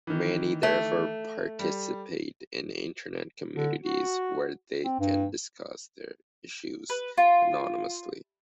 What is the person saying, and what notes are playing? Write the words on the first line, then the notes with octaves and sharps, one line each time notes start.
Many, therefore, participate in Internet communities, where they can discuss their issues anonymously.
D#3 E3
A3
G3
D3
F#4
C4
G2
B4
F4